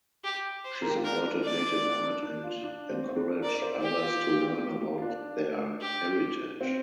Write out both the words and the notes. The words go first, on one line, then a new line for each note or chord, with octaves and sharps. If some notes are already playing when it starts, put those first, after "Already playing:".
She supported native art and encouraged others to learn about their heritage.
G4
C5
A#4
G4
F4
D4 A#4
D5
D4
D4
D4
F4
D4
C4
C4
D4
A#4 D5
A#4
C5
G4
F4
F4
D4
G4
C4